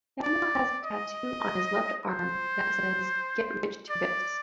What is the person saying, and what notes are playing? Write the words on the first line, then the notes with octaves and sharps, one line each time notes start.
Samuel has a tattoo on his left arm that says Get Rich To This.
D5
D#5
C5
D5